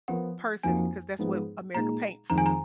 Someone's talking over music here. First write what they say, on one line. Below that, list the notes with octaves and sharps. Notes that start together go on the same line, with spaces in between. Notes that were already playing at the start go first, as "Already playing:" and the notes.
person 'cause that's what America paints
F3 B3 F4 A#4 F#5
F2 F3 A#3 D#4 F#4 G#5
G#2 F3 G#3 B3 D#4
A#2 G#3 D#4 A#5
F2 D#3 G#3 A#5
G#5
A#5